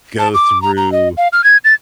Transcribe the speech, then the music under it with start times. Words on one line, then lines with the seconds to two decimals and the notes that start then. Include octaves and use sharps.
go through
0.19 A5
0.34 D6
0.62 A#5
0.77 A#5
0.92 D#5
1.17 F5
1.33 F6
1.44 G#6
1.65 A6